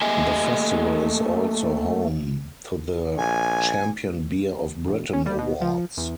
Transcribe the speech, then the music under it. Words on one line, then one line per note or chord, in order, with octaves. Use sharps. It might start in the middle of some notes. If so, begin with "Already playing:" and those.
The festival is also home to the Champion Beer of Britain awards.
A3 A#3 G4 D#5 E5 G#5
A#1 G#5
E1
C#4
G3
B2
F3
E2